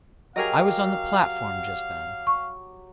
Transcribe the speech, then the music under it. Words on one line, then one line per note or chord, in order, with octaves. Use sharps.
I was on the platform just then.
F#3 G4 G#4 A#4 D#5 F5
C#6